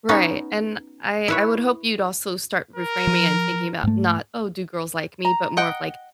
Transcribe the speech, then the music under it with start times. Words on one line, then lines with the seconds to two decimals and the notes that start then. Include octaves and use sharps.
Right, and I I would hope you'd also start reframing and thinking about not, "Oh, do girls like me?" but more of, like,
0.09 B3 C#4 D#4 F#4
1.28 E4 B4 C#5
2.76 A#4
3.07 F3
3.84 G#2 A3
5.25 A#5
5.57 D#5 F#5 G5